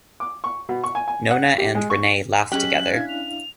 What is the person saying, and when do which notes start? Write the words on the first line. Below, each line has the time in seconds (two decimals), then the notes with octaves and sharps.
Nona and Renee laugh together.
0.20 D6
0.44 C#6
0.69 B2
0.84 C#6
0.95 G#5
1.08 G#5
1.31 F#5
1.58 G4
1.75 G#3
1.90 C#6
2.52 F#3 G#3 C#4 G4 F#6 B6 F#7
2.93 D4 E4 F5 G#6
3.09 F7